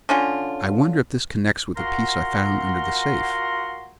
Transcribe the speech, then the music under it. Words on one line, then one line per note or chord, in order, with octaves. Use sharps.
"I wonder if this connects with the piece I found under the safe?"
D3 C#4 F4
F4 F#4 A#4 F#5 A#5 C6